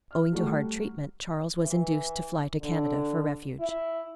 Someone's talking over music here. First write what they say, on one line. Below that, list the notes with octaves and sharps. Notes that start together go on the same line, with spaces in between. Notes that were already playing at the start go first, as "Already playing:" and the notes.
Owing to hard treatment, Charles was induced to fly to Canada for refuge.
F6
F#3 G3 A3 E4 F#4
E3
D3
E4